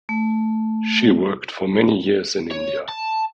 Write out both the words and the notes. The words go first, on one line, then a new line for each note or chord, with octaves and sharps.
She worked for many years in India.
A3
C#5
A5